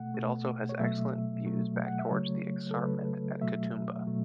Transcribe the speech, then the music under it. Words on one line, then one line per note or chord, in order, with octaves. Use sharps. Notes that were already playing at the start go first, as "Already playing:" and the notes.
It also has excellent views back towards the escarpment at Katoomba.
Already playing: B2 A3 F#5
B2 A3
C#5
B2 F#3 A3 E5
B2 F#3 A3
F#5
E5
C#3 F#3 A3 C#5
A4
C#3 F#3 A3 B4
B2 F#3 A3 E5
B2 F#3 A3